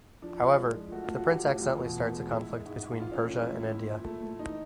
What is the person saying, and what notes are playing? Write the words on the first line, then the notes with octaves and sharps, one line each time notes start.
However, the Prince accidentally starts a conflict between Persia and India.
F3 D4
F3
G#3
F3
A3 F#4
F4
A3
F#4
A3 G4
A2
E2 F4
B2
E2
G#3
G#3 E4
G#3
G#2
G#2
E3 F4
C#4
A2
G#3 E4
A2
A#2 E4
A#2
A3
A3
E3 D#4